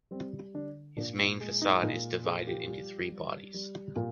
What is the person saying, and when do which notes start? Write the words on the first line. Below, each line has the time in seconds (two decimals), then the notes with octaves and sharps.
This main façade is divided into three bodies.
0.11 G3 C4
0.54 D3 D4
0.97 A#2 D4
1.19 D#4
1.40 G#3
1.62 D#4
1.82 A#2 D#4
2.25 F3 G#4
2.47 G4
2.68 G3
3.11 G3
3.54 G3
3.96 A#2